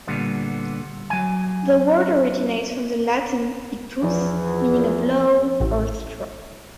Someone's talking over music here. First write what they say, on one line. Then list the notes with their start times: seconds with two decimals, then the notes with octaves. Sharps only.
The word originates from the Latin "ictus", meaning a blow or a stroke.
0.08 A#2 D3 G3 B3
1.10 F#3 G#5
4.03 E2 F3
5.60 A1